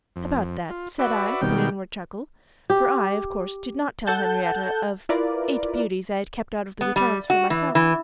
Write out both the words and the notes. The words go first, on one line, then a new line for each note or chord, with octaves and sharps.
"About that," said I, with an inward chuckle, for I, of course, did not tell Henriette of eight beauties I had kept out of the returns for myself.
F2
F4
F#4 B4 D5 E5
B2 D#3 G3 G5
G4
A4 F#5 A5 G6
E4 F4 A#4 B4 D5
B3
G3
F#4
E3
E3